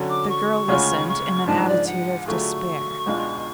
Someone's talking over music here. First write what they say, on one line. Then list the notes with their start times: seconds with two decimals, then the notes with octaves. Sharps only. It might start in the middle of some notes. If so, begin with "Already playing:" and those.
The girl listened in an attitude of despair.
Already playing: D3 F#3 C#4
0.09 D6
0.29 C#6
0.68 D2 C#3 G#3 C#4 F4
1.08 C#6
1.47 G#2 F3 G#3 D4 A5
1.68 D5
1.87 F#5
2.26 D3 F#3 A3 F4 G#4 C#6
3.06 C#2 B2 G#3 D4 F4